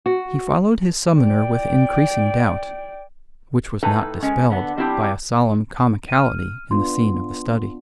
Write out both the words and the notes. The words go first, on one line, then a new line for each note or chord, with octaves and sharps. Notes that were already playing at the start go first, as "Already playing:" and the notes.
He followed his summoner with increasing doubt, which was not dispelled by a solemn comicality in the scene of the study.
F#4
D5 G5
A2 D#4 A4 B4 G#5 A#5
G#3 C#4
D3 B3
G3 C4 D4 E4 F4 G4
F6 D#7
B3 D4 F4 C6